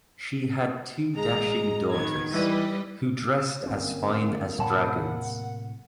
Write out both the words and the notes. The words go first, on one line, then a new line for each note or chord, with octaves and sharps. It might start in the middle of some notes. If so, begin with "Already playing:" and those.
She had two dashing daughters, who dressed as fine as dragons.
A1 G#3 A#5
D#3 B3 G#6
E3 G3 B4 D#5
G1 A#3 C4 C#4
A2 C3 F#3 C#5 F#5 A5 B5